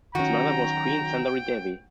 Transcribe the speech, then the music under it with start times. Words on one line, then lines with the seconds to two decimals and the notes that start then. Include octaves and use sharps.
His mother was queen Sundari-Devi.
0.15 D#3 F#3 C#4 F#4 G5 A#5